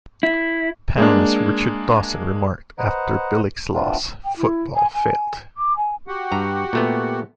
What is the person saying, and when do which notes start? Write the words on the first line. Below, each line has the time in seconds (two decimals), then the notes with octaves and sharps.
Panelist Richard Dawson remarked after Billick's loss: Football: Failed.
0.23 E4
0.98 G#3 A#3 D4
2.79 B4 C5 D#5 F#5 A#5
3.73 E3 A3 B3 C4 D4 F4
4.24 G5
4.36 E4
4.75 G#5
4.94 G#5
5.57 D6
5.76 G#5
6.07 F#4 G4 F#5
6.32 G2 A#5
6.73 A#2 A3 B3